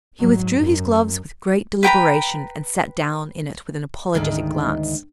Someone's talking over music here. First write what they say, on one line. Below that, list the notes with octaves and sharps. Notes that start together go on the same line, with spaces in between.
He withdrew his gloves with great deliberation, and sat down in it with an apologetic glance.
G#2 F#3
F#2
B4 G5 A#5 B5
D2 G#2 D#3